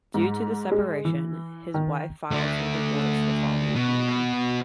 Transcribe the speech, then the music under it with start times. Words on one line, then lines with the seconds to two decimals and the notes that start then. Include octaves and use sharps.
Due to the separation, his wife filed for divorce the following year.
0.14 G#2
0.72 G#3
1.05 E3
1.74 D#3
2.31 D3 A3
3.75 B2